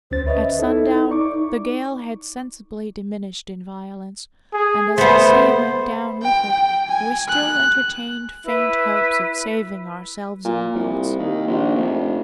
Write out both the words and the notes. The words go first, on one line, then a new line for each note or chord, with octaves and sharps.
At sundown, the gale had sensibly diminished in violence, and as the sea went down with it, we still entertained faint hopes of saving ourselves in the boats.
D2 C#4 C5 A6
B4 C#5 D#5 E5
D#4 E4 A4
D5 C#6 D6
G#4
A3 B3 C5
G5
G5
G#5
F#6
E4 B4
A#2
C2
D#2
A#1
F1